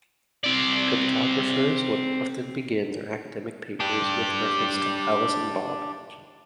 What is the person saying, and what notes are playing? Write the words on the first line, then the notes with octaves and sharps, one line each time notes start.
Cryptographers would often begin their academic papers with reference to Alice and Bob.
C4 D5
D4 G4